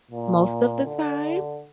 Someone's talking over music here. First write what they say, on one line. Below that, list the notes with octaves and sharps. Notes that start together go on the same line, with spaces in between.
most of the time
A#2
D3